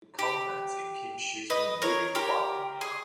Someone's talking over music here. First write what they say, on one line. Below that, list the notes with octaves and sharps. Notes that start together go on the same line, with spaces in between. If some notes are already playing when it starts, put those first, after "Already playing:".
It culminates in Kim shooting and wounding Kwak in the arm.
G4
B4 D#5
A#4 C#5
G4 A#4
G#4